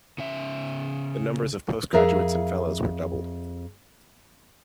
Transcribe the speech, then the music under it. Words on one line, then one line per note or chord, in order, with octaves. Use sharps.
The numbers of postgraduates and of fellows were doubled.
C#3 C#4 E5
F2 G#4 A#4 E5 F5